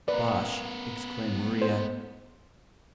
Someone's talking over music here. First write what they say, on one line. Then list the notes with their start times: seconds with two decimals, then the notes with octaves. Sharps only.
"Bosh!" exclaimed Maria.
0.08 B3 A#4 B4 D5
1.62 C5